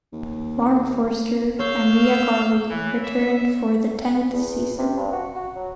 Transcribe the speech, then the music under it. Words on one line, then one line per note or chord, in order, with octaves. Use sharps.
Mark Forster and Rea Garvey returned for the tenth season.
D#2
C#5 F5 E6 G6
E3
E5
E2
C3
G2
F#4
F#4
F#3